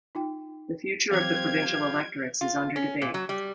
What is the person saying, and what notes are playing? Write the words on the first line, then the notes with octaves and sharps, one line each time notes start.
The future of the provincial electorates is under debate.
D#4 F4 G5
E3 F#3 C4 F4 G4 F5 D6 G#6
F4
C#4
A#2
F#3
G3